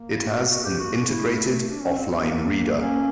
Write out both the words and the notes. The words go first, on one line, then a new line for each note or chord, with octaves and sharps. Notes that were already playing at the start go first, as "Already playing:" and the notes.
It has an integrated offline reader.
Already playing: A#3
E4
F#4
F#4
G4
F#4
F#4
A3 E4
D4
C#4
C4
B3
A#3
C#4